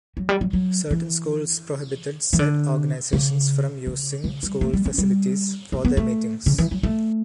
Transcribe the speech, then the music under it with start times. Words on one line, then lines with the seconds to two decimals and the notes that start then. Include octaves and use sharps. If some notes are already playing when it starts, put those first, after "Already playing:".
Certain schools prohibited said organizations from using school facilities for their meetings.
0.17 F#3
0.29 G3
0.41 F#3
0.53 F#3
0.91 E3
2.33 E3
2.39 D3
3.13 C#3
3.87 C#3
4.24 C#3
4.43 G3
4.61 A3
4.73 G3
4.86 C#4
4.98 G3
5.72 A3
5.85 B3
5.97 A3
6.46 C#3
6.58 E3
6.71 F#3
6.83 A3